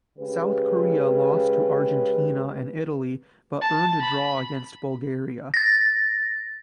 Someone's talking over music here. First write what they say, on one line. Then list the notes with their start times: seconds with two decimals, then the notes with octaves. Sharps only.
South Korea lost to Argentina and Italy but earned a draw against Bulgaria.
0.18 C#3 G#3 G4 B4
3.61 A5
4.00 B5
5.54 A6 A#6